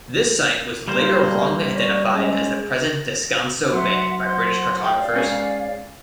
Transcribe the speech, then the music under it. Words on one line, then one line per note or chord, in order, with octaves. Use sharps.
This site was later wrongly identified as the present Descanso Bay by British cartographers.
G2 G3 A#3 C5
F#2 C#5 D5
G#3 C#4
F#3 E5 F#5 C6
C5 F#5 C6
G4
D5 F5
G#2 C#4 G#4